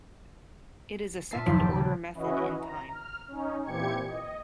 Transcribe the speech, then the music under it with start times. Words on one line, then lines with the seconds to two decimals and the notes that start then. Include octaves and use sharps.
It is a second-order method in time.
1.31 A#2 F4 E5 A5 B6 C7
1.46 F#1 D#2 F3
1.58 G4
1.75 C#3 G3
2.15 E3 C#4 E4 F#4 B4 D#5
2.59 A#5
2.90 F6
3.28 C#4 D#4
3.65 A#2 E3 C4 G4 G#6 C#7
4.07 D#5